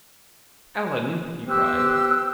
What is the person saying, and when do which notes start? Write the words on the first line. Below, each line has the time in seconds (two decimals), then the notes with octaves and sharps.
"Alan!" he cried.
1.48 B3 G4 C5 E6 F#6